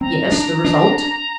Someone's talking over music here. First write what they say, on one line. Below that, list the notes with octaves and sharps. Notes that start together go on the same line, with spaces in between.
"Yes, the result?"
C4 A#5
D4
D4